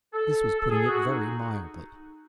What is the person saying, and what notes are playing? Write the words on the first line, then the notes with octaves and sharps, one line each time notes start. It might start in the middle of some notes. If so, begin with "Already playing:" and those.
This was putting it very mildly.
A4
A4
G#4
F#4
D#4